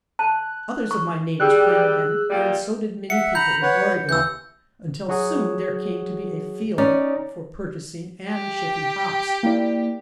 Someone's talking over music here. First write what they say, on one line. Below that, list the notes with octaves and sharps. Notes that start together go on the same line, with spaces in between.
Others of my neighbors planted them, and so did many people in Oregon, until soon there came to be a field for purchasing and shipping hops.
A5 F#6
C#6
G3 G#4 E6 F#6
A#2 G3
E5 F#5 C#7
A#5 B5 G6
B4 C#5 F#5
D#2 E3 E6 G6
F#3 F#4 G#4
C#4 D#4 D5
G4
A#3 E4 D5